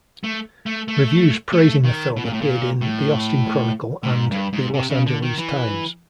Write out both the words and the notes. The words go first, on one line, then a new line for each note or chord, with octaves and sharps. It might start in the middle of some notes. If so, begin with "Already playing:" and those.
Reviews praising the film appeared in "The Austin Chronicle" and "The Los Angeles Times".
A3
A3
A3
A3
D#3
B2
A#2
A2
A#2
A2
A2
G#2
G2
G#2
C3
C#3
D3
D#3
E3